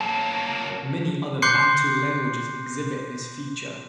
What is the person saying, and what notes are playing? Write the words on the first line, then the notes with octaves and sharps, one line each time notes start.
Many other Bantu languages exhibit this feature.
F#3 A#3 A5
C6 D6 F#6 G6 C7 C#7